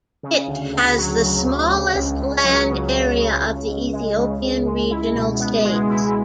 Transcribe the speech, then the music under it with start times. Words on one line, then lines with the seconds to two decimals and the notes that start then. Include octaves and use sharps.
It has the smallest land area of the Ethiopian regional states.
0.23 C#3
0.47 D2
0.73 D2
0.98 F#3
1.22 C#3
1.46 D2
1.71 C#3
1.95 C#2
2.21 C#2
2.44 F#3
2.69 C#3
2.93 C#2
3.18 C#3
3.44 C#2
3.67 C#2
3.93 G#3
4.18 C#3
4.41 C#2
4.66 G#3
4.91 E4
5.15 B2
5.40 B3
5.65 G#3
5.90 E4